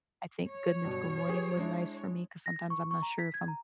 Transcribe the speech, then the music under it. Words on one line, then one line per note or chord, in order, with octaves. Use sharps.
I think Good Mythical Morning was nice for me 'cause sometimes I'm not sure if I'm
C#5
G2 B2 F#3
G4 G#4 B4
G#3 D4 E4
A#6
C#6
C#6
A#5
B6
G#6
A#5